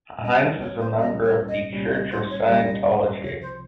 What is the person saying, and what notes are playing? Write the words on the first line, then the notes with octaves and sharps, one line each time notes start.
Hynes is a member of the Church of Scientology.
C2 A#2 G3 C#4 D#5
D#5
C#5
C5
C2 A#2 G3 C#4 D#5
C#5
D#5
C2 A#2 G3 C#4
D#5
C5
C#5
C2 A#2 G3 C#4 D#5
C2 C3 F3 C#5
C5